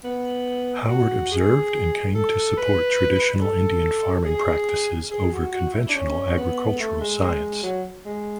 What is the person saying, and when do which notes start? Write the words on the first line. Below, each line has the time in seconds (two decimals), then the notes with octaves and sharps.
Howard observed and came to support traditional Indian farming practices over conventional agricultural science.
0.04 B3
0.89 F#4
1.32 G#4
2.15 A4
2.57 B4
3.41 A4
4.26 G#4
5.11 G#4
5.32 F#4
5.52 F#4
5.74 E4
5.89 D4
5.95 C#4
6.38 B3
6.80 A3
7.00 G#3
7.21 G#3
7.63 F#3
8.05 G#3